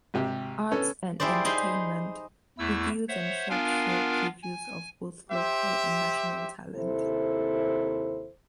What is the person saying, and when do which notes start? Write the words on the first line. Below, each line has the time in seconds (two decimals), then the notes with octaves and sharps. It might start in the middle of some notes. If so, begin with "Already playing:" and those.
Arts and Entertainment: Reviews and short show previews of both local and national talent.
0.14 G#1 C3 G4
0.71 B3 C#4 A4
1.20 E4 G4 G#4 C5 D5
1.45 D#4 G#4 C5 B5 C6
2.58 E2 A3 E4 E6
3.08 C5 C#5 E5 F#5
3.50 B3 D4 F4 A#4 F5 G#5
4.42 G#5
5.30 G4 C5 E5
6.74 D#2 C3 E4 A4 C5